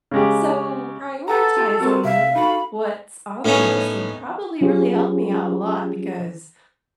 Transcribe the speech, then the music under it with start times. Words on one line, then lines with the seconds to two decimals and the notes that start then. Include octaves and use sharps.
So, prioritizing what's on the list would probably really help me out a lot because
0.11 C#3 G#3 G4
1.28 A4 B4 F#5 A#5
1.57 F4 G4
1.80 C4 F#4 A#4 A5
2.04 C3 E5 F5
2.35 D#4 F#4 A4 B5
3.45 A2 B3 C#4 D#4
4.61 F#3 C#4 F4 G4 G#4